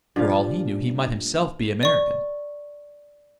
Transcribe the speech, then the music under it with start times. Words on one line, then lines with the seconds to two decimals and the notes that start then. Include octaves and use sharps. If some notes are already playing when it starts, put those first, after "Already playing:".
For all he knew he might himself be American...
0.16 G2 A#2 F3 F5
1.83 D5 C#6